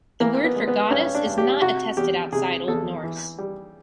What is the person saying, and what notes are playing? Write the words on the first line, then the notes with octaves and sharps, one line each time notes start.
The word for "goddess" is not attested outside Old Norse.
E3 A#3
B3
G#3
B3
G2 C#4
D4
G2
G4
C3 F#4
E2 G4
C3 G#4
E2 A4
E3
G3